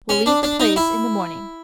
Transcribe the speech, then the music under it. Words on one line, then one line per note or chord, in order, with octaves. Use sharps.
We'll leave the place in the morning.
C#4
D4
D4
D#4
E4